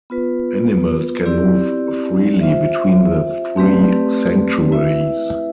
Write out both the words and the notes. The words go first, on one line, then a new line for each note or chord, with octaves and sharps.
Animals can move freely between the three sanctuaries.
B3 F4 B4
C4 E4 G4 D5
F4 C5 E5
A3 C4 G4 B4 D5
E4 B4 E5